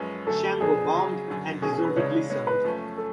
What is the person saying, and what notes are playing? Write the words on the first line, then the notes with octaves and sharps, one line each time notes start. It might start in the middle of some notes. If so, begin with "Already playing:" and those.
Shango bombed, and deservedly so.
Already playing: F#2 F3 G#3 C#4 B4
F#2 D3 F#3 A3 A4
F2 F3 B3 D4 G#4
C#2 C#3 F#3
F#2 D3 F#3
B2 F#3 C#4 G#4
G#4
B4
C#2 C#3 G#3 D4 C#5
G#2 G#3 B3 C#5
B4
F#2 F3 A3 C#4
A4